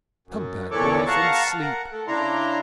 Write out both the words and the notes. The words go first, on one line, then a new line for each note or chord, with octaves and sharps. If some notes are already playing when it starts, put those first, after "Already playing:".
"Come back, wife, and sleep."
F#2
E2 A#2 E3 A4 C#5 D5
F5 F#5 A5 A#5 C#6
A#4 F#5
A3
C#3 D4 E4 A#5 C6